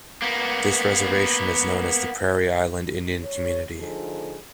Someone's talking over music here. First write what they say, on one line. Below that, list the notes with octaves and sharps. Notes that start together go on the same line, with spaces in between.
This reservation is known as the Prairie Island Indian Community.
A#3 B3
C#5
D2 D3 F3 D#4 G#4 A4